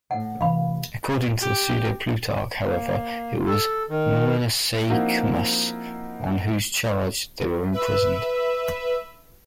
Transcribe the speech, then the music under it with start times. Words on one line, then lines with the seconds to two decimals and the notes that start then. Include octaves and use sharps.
According to the Pseudo-Plutarch, however, it was Menesaechmus on whose charge they were imprisoned.
0.11 A2 F#5
0.41 F1 E3 F3 F5 B5
1.41 G4
2.66 A#3
3.46 A4
3.89 D#3
4.90 F3 A#3 C4 D#4 E4 F#4
7.72 B4 E5